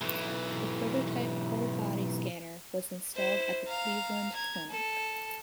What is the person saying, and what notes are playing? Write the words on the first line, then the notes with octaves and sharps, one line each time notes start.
A prototype whole body scanner was installed at the Cleveland Clinic.
B1 E3
E4 C5
F5 A#5
A#5 G#6
A4